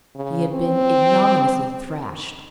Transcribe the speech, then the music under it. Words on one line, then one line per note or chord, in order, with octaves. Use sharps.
He had been ignominiously thrashed!
C#3
C4